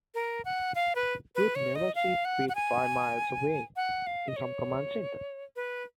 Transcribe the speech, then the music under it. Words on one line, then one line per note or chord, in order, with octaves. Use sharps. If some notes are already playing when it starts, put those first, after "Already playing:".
You would never see Pete five miles away, in some command center.
A#4
F#5
F5
B4
B4
C#5
D#5
F5
F#5
F#5
G#5
F#5
F5
D#5
C#5
B4